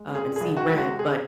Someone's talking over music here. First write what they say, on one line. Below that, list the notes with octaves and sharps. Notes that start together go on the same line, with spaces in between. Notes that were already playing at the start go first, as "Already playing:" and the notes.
um, and see red, but
Already playing: G#3
C4
G#4
A#2
C2 G#4
D#3 F#4
G#3
F#4
C3
G#4